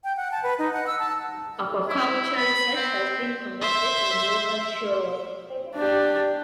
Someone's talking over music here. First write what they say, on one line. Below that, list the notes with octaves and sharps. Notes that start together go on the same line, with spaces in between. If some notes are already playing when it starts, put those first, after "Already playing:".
Aquaculture research has been conducted on Walker Shoal.
G5
F#5
A5
B4
D#4
F#5
E6
A5
E4
B5
C4
C5 E5
D4 G4